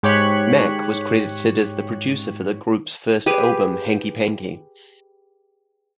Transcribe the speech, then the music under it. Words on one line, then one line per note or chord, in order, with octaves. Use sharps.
Mack was credited as the producer for the group's first album, "Hanky Panky".
G#2 G4 C#5 F#6 B6 C#7
G4 G#4 B4